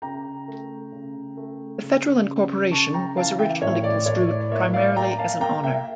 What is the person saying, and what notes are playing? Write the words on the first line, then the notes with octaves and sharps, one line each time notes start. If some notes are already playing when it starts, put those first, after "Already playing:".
The federal incorporation was originally construed primarily as an honor.
C#3 G5 A#5
A3
C#3
A3
C#3
C#3
C#3 A5 C#6
G5 A#5
E3 F5 A5
E5 G5
A2 C#5 E5
D5
A2 C#5
D5
A#3 C#5 E5
D5 F5
A#3 G5 A#5
F5 A5
A#3 G5 A#5
E5 G5